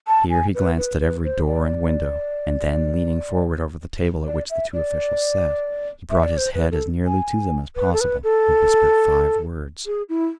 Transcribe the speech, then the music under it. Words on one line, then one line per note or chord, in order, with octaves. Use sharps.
Here he glanced at every door and window; and then, leaning forward over the table at which the two officials sat, he brought his head as nearly to them as possible and whispered five words.
A5
G#5
B4
B4
B4
C5
D5
D5
E5
D5
E5
D5
C5
B4
A4
G#5
B4
A4
B4
A4
G#4
E4